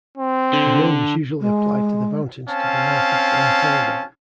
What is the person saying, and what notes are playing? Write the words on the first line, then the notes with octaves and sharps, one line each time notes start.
The name is usually applied to the mountains to the north of Glen Torridon.
C4
D3
G#3
C4 C#4 F5 A5